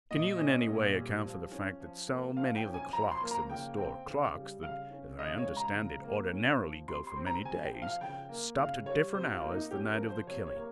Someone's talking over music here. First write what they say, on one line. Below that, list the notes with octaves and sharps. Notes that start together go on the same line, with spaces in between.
Can you, in any way, account for the fact that so many of the clocks in the store--clocks that, as I understand it, ordinarily go for many days--stopped at different hours the night of the killing?
A#2 D#5
C#4
A#2
G3
F3
C#4
F3
A#3
F3 F5
G5
C#4
G#5
F3 A#5
C6
A#3
A#5
C#3 G5
C4 G5
C#3
G3
C#3 F5
C#4
C#3 D#5
C#5
G#3
A#5
C#3
A#3
C#4
F3
C3 C6
C6
C4
A#5
C3 G#5
G5
F3
F5
C#3 G5
A#3
C#3 F5
G3 C#5
C3 C5
F4
A#3
D#4
C#4 G4
A#4
F3
C5
C3 C#5
C#5
A#3